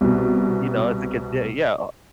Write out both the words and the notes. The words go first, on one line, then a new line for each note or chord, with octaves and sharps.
you know? It's a like a d yeah, uh
C2 B2